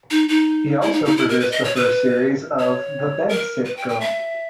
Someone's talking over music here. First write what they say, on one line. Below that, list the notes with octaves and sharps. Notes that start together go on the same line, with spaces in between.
He also produced the first series of "The Bed-Sit Girl".
D#4
D#4
E4
D#4
D#4
E4
A#4
B4
D#5
C#5
B4
C#5
A#4
B4
G5
G5
E5